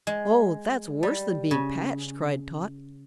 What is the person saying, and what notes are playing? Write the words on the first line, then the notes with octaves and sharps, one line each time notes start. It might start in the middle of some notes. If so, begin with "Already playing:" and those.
"Oh, that's worse than being patched!" cried Trot.
G#3
G3
C#3